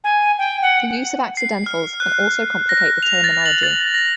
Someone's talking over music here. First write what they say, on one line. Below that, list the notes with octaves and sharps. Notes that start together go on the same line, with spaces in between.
The use of accidentals can also complicate the terminology.
G#5
G5
F#5
C7
F6
F#6
A#6
F7
A6
F#7
A6
A#6